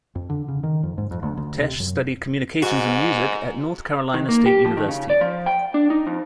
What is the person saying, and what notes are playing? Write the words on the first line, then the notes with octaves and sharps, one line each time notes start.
Tesh studied communications and music at North Carolina State University.
F2
D3
C#3
D#3
F2
G#2
F2
D2
D2
C3
F#2
G#2 F#4
D#3
A#3
G4
F3
D#3
C#3
D5
F3
G5
D4
D#4
F2